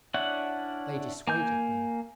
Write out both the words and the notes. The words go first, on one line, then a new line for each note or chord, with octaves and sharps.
They dissuaded me.
C#4 D4 E4 F#5
A#3 G#5 G6